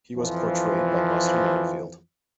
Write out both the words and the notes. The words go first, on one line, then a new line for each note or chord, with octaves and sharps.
He was portrayed by Buster Merryfield.
F2 E3 F3